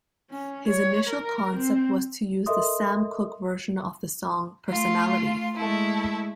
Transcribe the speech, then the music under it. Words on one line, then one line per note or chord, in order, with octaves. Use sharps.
His initial concept was to use the Sam Cooke version of the song "Personality".
C#4
C#5
A#4
C4
A4 A#4 D#5 E5 C6 D#6
A3 F4
G#3 A3 E4